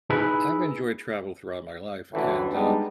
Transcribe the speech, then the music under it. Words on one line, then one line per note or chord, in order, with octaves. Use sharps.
I've enjoyed travel throughout my life, and, uh,
D#4 E4 G#4 B4
A1 D2 A2 D3 E3
G3 G#3 B3 D4 D#4